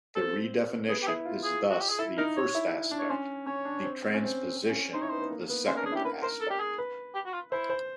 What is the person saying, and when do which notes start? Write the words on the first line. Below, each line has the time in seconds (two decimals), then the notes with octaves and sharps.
The redefinition is thus the first aspect, the transposition the second aspect.
0.15 C4 A4
0.88 B3 G#4
1.03 G4
1.07 E4 G#4
1.25 F4
1.44 G#4
1.70 F#4
1.80 G4
1.90 G#4
1.99 E4 A4
2.18 D#4 A#4
2.37 C#5
2.55 E4
2.91 D4
2.99 C#5
3.10 C#4 C5
3.46 C#4 C#5
3.65 D4
3.83 C4
4.02 C4
4.14 C#4
4.25 C4
4.57 C4
4.70 C#4
4.94 D#4 C5
5.02 E4 C#5
5.09 B3 C5
5.22 B3
5.31 A#3
5.49 B3
5.67 C#4 C5
5.76 A#4
5.80 D4
5.86 G#4
5.92 E4 G4
6.05 A#4 B4
6.22 A#4 C5
6.41 A4
6.50 G4
6.60 G#4
6.78 B4
7.14 G4
7.26 F#4
7.34 F4
7.52 E4 C5
7.70 C5